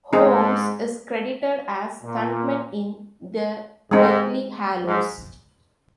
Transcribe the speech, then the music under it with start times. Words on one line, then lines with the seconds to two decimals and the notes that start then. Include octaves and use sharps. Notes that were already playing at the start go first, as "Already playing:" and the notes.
Holmes is credited as stuntman in "The Deathly Hallows".
0.13 G#2 C4 D#4 G#4
2.03 A#2
3.91 G#2 G#3 C4 D#4
4.87 G#2